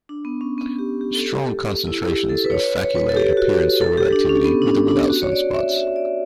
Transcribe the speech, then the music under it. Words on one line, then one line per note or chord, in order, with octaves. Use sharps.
Strong concentrations of faculae appear in solar activity, with or without sunspots.
D4
B3
C#4
B3
G4
G4
A4
G4
E4
G4
A4
B4
C#5
C#5
B4
A4
G4
F#4
A4
G4
D4
C#4
B3
D4
C#4
D4
F#4
C#5
D5
E5
E5
D5